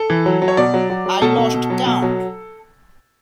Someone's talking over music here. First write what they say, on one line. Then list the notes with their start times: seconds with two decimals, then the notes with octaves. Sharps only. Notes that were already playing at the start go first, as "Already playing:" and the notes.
I lost count.
Already playing: A4
0.10 E3
0.26 F#3
0.42 F#3
0.48 C#5
0.57 B2 D5
0.74 F#3
0.90 F#3
1.06 F#3
1.22 B2 A4
1.38 B2
1.54 B2
1.70 F#3
1.86 B2
2.02 F#3